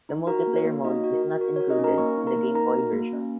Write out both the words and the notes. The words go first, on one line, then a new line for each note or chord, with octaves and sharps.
The multiplayer mode is not included in the Game Boy version.
D#4
F#4 A#4 A#5
A#3
C#5
A#3
D#4 F#4 D#5
F#4
A#4
F#4
F#4 A#4
C#5
F#4
D#4 D#5
C#4
A#4 A#5
A#3 C#5 C#6
D#4
A#4 A#5
A#3
D#4 A#4 A#5
F#4
A#3
C#4